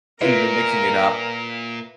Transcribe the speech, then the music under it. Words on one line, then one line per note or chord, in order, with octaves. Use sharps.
so we've been mixing it up,
A#2 E4 F4 A#4 B4